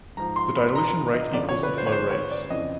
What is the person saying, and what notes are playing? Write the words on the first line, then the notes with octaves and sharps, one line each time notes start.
The dilution rate equals the flow rates.
G#2 F3 A#5
C6
B5
A#5
D#5
F#2 D3 F3 D5
C#5
B4
C5
C#5
C5
C#5
D5
F2 C#3 E3 D#5